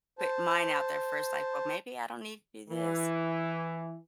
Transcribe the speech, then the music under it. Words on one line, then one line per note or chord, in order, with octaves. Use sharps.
put mine out there first, I "Well maybe I don't need to do this,
C5 A5
E3